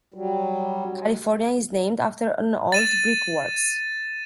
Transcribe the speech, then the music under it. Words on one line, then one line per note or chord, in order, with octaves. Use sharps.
California is named after an old brickworks.
F#3 G3
A6 D#7 E7